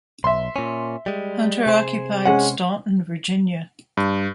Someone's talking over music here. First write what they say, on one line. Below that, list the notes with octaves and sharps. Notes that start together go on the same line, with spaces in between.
Hunter occupied Staunton, Virginia.
B1 E5 C6
A#2 C#4
G3 G#3
C3 G#4 C5
G#3 C#4 F#5
G2